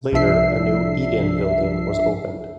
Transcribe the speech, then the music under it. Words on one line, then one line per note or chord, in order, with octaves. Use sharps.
Later, a new eat-in building was opened.
C2 F3 D4 E5 C7